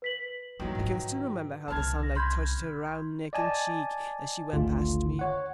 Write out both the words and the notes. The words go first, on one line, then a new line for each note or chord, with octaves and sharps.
I can still remember how the sunlight touched her round neck and cheek as she went past me.
B4 B6 F#7
D#3 E3 F#3 G3
G#2 F4
C2 C#3 A5 F6 G#6
A#6
B5 C6 G6 G#6
D5 D#5 G#5 A5
G#1 D2 D3 F4
C#5 F#5